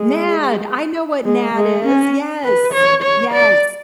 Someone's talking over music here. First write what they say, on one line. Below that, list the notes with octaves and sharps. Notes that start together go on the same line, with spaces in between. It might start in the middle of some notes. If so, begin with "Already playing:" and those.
NAD, I know what NAD is. Yes. Yes.
Already playing: G#3
G#3
G#3
C#4
B4
C#5
C#5
D5